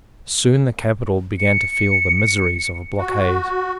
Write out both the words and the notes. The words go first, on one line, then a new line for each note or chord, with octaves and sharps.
Soon the capital began to feel the miseries of a blockade.
C#7
F#4